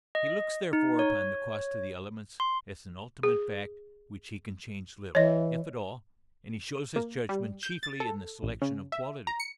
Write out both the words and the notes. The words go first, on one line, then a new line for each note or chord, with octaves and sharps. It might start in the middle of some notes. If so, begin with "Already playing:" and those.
He looks therefore upon the cost of the elements as an ultimate fact which he can change little, if at all, and he shows his judgment chiefly in the selection of quality.
D#5
D#4
C#5
C6
G#4
E3 C#5 D#5
A#3
G3
G6
A6
A4
A1
C#3
E5
A#5
C#7